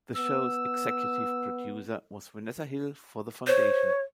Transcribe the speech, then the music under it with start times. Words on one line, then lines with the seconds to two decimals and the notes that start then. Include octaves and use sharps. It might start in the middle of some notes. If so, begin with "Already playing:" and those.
The show's executive producer was Vanessa Hill for The Foundation.
0.15 B3 E6
3.47 C5 C#5